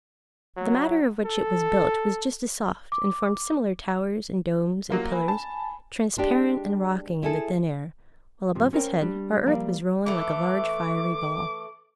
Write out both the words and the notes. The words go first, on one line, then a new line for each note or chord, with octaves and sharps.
The matter of which it was built was just as soft, and formed similar towers, and domes, and pillars, transparent and rocking in the thin air; while above his head our earth was rolling like a large fiery ball.
F#3
A4
D6
F#3 A#3 F4
G#5 B5
A5
G#3 D4 G4
E4 G#4 A4
G2 C3 F3
C#4 A#4 C5 G5
G3 D4
F3 G3 A#3 A#4 D5 F5
E3 A3 D6